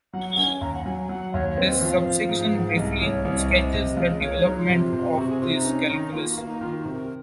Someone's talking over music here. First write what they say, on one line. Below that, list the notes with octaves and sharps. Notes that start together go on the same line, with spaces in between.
This subsection briefly sketches the development of this calculus.
F#3 F#5
C#4 G#5
D#2 A#5
F#5
F#3 G#5
F#3 F#5
D#2 C#5
C#5
C4
D#5
F3 F5
F3
G#2
G#2 F#5
F5
C2 D#5
C2 C#5
C2 C#5
D#5
C3 D#5
D#5
C3
C#2
C#2 C#5
C#5
F#3 D#4
F4
C3
C3
C3 F#4
G#4
C3 F4
D#4
C#4
D#3
A#3 F4
F#4
A#3
D#4
D#3 F4
F#4
C3
A#4